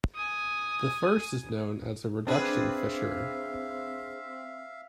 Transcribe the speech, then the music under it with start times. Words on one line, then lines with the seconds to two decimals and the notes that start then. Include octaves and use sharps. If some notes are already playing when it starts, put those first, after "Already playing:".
The first is known as a reduction fishery.
0.15 G#5 D#6
2.27 C4 D4 G#4 B4 E5 F5